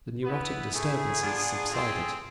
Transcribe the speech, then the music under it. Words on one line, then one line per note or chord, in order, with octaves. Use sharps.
The neurotic disturbances subsided.
B3 E4 B4
A3 E4 G#4
B3 D4 F4
A3 C4 F4